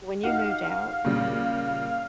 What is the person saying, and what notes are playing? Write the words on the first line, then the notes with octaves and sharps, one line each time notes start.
when you moved out
D#4 G4 F5 F#5
A#2 C#3 G3